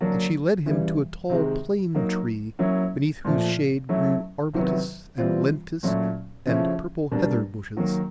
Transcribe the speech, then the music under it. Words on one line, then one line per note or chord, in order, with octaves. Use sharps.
And she led him to a tall plane-tree, beneath whose shade grew arbutus, and lentisk, and purple heather-bushes.
D3 F#3 A#3 D4
C#3 E3 G3
C3 D#3 G#3
F#3 A#3 D#4
F#3 A#3 C#4 E4
A#2 F3 A3
F#3 A3 C#4 E4
C3 D#3 F#3 B3 E4
E3 G3 C4 F4
A#2 F#3 A3 C#4
C#3 F3 A3 C#4 E4
B2 G3 A#3 D4
D#3 F#3 A#3